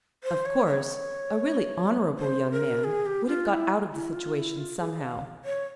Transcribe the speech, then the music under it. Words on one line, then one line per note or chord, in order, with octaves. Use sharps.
Of course, a really honourable young man would have got out of the situation somehow.
C5
C#5
C#5
C5
A#4
G#4
G4
F4
E4
E4
F4
E4
F4
G#4
F5
C#5